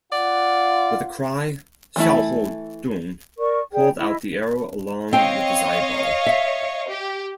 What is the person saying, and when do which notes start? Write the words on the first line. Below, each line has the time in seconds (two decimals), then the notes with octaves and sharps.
With a cry, Xiahou Dun pulled out the arrow along with his eyeball.
0.12 F4 D5 F#5
1.96 E3 A3 E4
3.38 A#4 D5 C#6
3.73 D#4 G#4 D5 G5
3.98 E4 D#5
5.13 C4 C#5 D#5 F5 G5
6.26 E5
6.89 G4